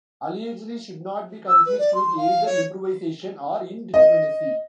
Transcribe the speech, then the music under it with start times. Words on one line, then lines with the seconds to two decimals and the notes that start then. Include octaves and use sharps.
"Aleatory" should not be confused with either improvisation or indeterminacy.
1.47 E6
1.66 B4
1.78 D5
1.94 C6
2.17 F5
2.46 C#5
3.94 D#5